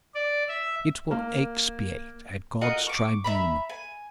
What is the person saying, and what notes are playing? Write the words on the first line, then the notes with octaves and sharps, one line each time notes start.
It will expiate at God's tribunal.
D5
E5
A#3
F4 F#4 A#4 D#5
C#6 D6
E5 A#5 B5
G#5